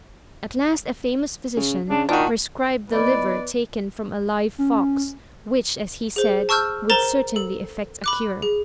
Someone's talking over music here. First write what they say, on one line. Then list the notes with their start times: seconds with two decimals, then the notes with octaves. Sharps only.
At last a famous physician prescribed the liver taken from a live fox, which, as he said, would certainly effect a cure.
1.57 C#3
1.90 C#3 D4
2.09 A#2 D#3 D4 F#4
2.89 B3 B4 D5 D#5 B5
4.58 C#4
6.16 G#4 C5
6.49 A5 C#6 E6 F6 G6
6.90 A#4 C5 A#5 A6 E7
7.36 A4
8.04 B5 D6 F#6
8.42 G#4